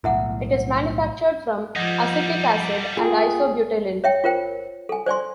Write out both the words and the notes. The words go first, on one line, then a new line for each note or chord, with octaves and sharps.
It is manufactured from acetic acid and isobutylene.
B1 A2 E4 E5 F#5
F3 G3 D#4 D#5 F#5 G#6
A#3 F4 G#4 G5
C#5 E5 G5
F4 A#4 C5 G5
A4 G#5
C5 D5 G#5 C6